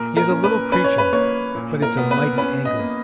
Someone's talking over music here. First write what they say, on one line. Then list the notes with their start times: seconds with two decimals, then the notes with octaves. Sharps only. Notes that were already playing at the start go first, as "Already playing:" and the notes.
He is a little creature, but it's a mighty anger.
Already playing: A#2 A#4
0.17 A#4
0.30 C#4
0.44 B4
0.72 C#4 B4
0.84 C#5
0.98 B4
1.13 A#3 C#5
1.55 A#2
1.82 A#4
1.97 B3
2.11 B4
2.38 C#4 B4
2.65 D#5
2.79 A#3